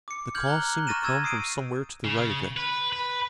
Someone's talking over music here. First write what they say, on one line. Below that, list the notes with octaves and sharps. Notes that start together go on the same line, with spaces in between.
The call seemed to come from somewhere to the right of them.
D6 C#7
F6 G6 G#6 F#7
A#5 F#6 G7
C#6 F6 A6 A#6 D#7 E7
C#6 E6 G#6 A6 E7
D#6 C7 D7 D#7
C#3
B4
B4